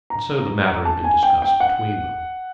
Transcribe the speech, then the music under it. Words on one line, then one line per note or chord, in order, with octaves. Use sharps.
And so the matter had been discussed between them.
A#5
A5
G#5
G5
G5
F#5